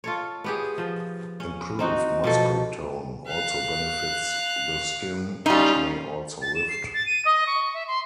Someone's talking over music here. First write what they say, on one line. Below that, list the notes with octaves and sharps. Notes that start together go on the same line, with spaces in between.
Improved muscle tone also benefits the skin, which may also lift.
F4 A4 C#5
B3 G4 G#4
F3
C#4
C4 D#4 F#4
B2 F3 A4
F5 F#6
G3 C#4 D#4 F4
A6
E7
C7
A6
D#7
D#5
C#6
E5
C6